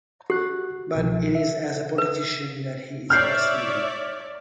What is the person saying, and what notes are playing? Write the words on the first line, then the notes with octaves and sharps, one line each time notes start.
But it is as a politician that he is best known.
F#4 G4 F#6
C2 B2 F3
E5
B4
C#5 D5 E5 F6 G6 C7